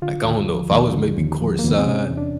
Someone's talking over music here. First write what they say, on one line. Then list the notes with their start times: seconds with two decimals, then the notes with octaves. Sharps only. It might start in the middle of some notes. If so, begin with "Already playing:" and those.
Like, I don't know, if I was maybe courtside
0.02 D3 F4
0.25 D#2
0.48 F3
0.71 D#2
0.94 D3
1.17 D#2
1.41 F3
1.59 A#3
1.64 D#2 B3
1.78 C4
1.86 C3 C#4
2.10 E2
2.17 D4